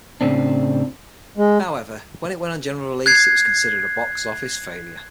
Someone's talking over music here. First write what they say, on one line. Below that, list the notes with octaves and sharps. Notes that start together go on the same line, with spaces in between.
However, when it went on general release it was considered a box office failure.
A2 C#3 C4 D4
G#3
F#6 G#6 C7